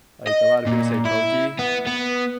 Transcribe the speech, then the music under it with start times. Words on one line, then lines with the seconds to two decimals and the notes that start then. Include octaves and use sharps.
Like, a lot of people say pokey,
0.27 D#5
0.67 A#2
1.06 E4
1.59 B3
1.87 B3